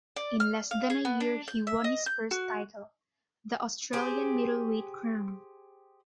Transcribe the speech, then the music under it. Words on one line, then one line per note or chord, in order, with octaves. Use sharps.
In less than a year he won his first title, the Australian Middleweight crown.
D5
F6
F5
G#4
B3
D4
G6
E5
D#5
G6
F#4
G4 G#4 C5